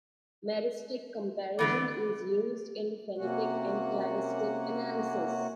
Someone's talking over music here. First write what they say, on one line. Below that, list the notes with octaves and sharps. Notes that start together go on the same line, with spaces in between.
Meristic comparison is used in phenetic and cladistic analysis.
D3 E3 B3 D5
C3 A#3 C#4 F#4 F#5